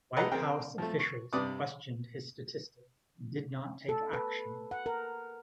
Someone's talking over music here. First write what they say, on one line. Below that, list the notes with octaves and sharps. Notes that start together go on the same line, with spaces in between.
White House officials questioned his statistics and did not take action.
A4 B4 D#5 F#5 G5 A#5
C4 G#4 A#4 G5
F3 A3
C#6
G2 C3 B4 D5 D6 D#6
A4
B4
F#5
A#4